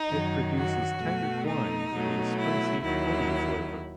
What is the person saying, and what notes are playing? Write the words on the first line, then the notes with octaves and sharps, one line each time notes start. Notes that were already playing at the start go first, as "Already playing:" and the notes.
It produces tannic wines with a spicy, plummy flavour.
Already playing: D#4
F#2 D#3 F#3
F#4
B2 A3
D#4
B2 F#3 A3
E4
D#2 D#3 F#3 E4